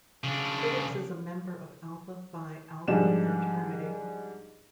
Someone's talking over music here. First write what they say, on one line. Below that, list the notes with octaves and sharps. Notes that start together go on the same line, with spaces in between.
Phillips is a member of Alpha Phi Alpha fraternity.
C#3 D4
G#2 F3 G3 D4 D#4 E7